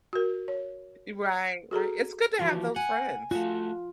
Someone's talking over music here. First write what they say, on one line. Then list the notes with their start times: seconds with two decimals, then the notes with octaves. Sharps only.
Right, right. It's good to have those friends,
0.13 F#4 A#4
0.48 C#5
1.71 F#4 G#4 A4 A#5
2.39 E3 F3 F#4 G4
2.76 F#5 G#5
3.31 A3 F4 F#4